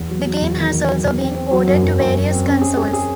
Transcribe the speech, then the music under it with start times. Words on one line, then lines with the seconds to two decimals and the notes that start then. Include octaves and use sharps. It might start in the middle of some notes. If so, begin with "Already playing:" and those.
The game has also been ported to various consoles.
Already playing: E2
0.09 F#3
0.25 F#3
0.41 E2
0.57 D#3
0.72 E2
0.88 F#3
1.04 E2
1.20 C4
1.36 C4
1.51 F#3
1.67 F#2
1.83 F#2
1.99 F#2
2.14 F#3
2.30 C4
2.46 C#4
2.61 G#4
2.77 G#4
2.93 G#4